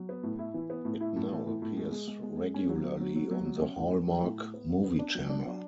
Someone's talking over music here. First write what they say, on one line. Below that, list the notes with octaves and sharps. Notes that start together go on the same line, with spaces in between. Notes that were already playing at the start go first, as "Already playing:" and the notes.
It now appears regularly on the Hallmark Movie Channel.
Already playing: F#3
B3
A2
E4
E3
B3
A2
E4
A2
E3
A2
A2
G#3
G#3
G#3
G#3
G#3
C#4
F#3
F#3
F#3
F#3
F#3
F#3
C#4
A2
B3
F#3
A2
A2
B3
F#3
B3
D4
F#3
D4
F#3